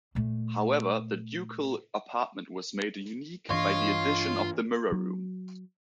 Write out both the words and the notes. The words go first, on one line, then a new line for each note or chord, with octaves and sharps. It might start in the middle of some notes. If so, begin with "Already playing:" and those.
However, The Ducal apartment was made unique by the addition of the Mirror Room.
A#2 A3
G2 E3 D4 F4 C#5 D#5 C6 C#6
F#3